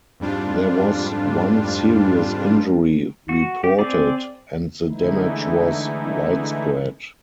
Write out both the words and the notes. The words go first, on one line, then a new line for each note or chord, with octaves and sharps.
There was one serious injury reported and the damage was widespread.
F2 G#2 G3 D4 F4
F#4
G4
C4 G#4 D5
D3 E3 G#3 A3 D#4 E4